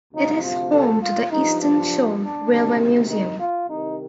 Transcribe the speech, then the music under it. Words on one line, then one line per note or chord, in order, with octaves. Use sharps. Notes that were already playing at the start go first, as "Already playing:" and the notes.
It is home to the Eastern Shore Railway Museum.
D2 C3 F3 D#4
F4
A4
F4
G2 F3 D#4
D4
D4
D2 C3 D#3 D4
D#4
F4
C2 C3 D#3 D#4